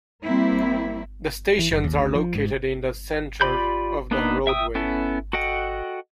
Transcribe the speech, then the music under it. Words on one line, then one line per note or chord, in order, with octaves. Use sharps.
The stations are located in the center of the roadway.
G3 A#3 C4 E4
E3
F#1
D#2
D2
F3
G#2
F4 G4 D5 B5 G6
A#3 B3 D4 D#4 B4
E5 G5 D#6 E6
B3 C#4 E4 A4
F#4 A4 D#5 F#5 G5